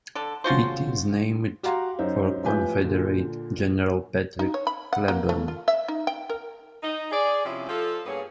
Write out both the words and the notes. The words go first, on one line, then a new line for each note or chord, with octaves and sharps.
It is named for Confederate General Patrick Cleburne.
D3 A4
C#3 F4 F#4 C5
F#4 G4 F5 F#5 A#5 C6
F#2 D#4 C5
A1 F3 G4 B4 G#5 G6
A#2 D3
D#4
C#5
B5
F#5
A#3
A3
F4
E5
D#4
G5
A#4
D#4
G#4 D5
C3 F3 C#4 E4
F3 A4
G2 A#3 B3 G#4 C#5